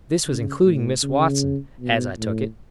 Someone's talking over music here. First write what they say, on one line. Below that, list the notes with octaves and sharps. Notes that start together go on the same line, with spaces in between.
This was including Miss Watson, as I took it.
C#3
A2
C#3
B2
A2